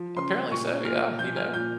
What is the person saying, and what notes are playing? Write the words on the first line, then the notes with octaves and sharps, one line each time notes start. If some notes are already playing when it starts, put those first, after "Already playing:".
Apparently so, yeah, you know,
Already playing: F3
C#3 C6
A#2 C#6
A#2 F6
F3 G6
F6
A#2 G6